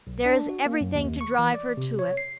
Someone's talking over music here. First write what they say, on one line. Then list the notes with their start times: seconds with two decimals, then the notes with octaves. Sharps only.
There is everything to drive her to it.
0.07 B1
0.26 D4
0.49 F#4
0.66 A#3
0.81 F#2
0.95 D#2
1.21 C#6
1.39 E3
1.54 D5
1.77 C3
1.99 C#5
2.17 C7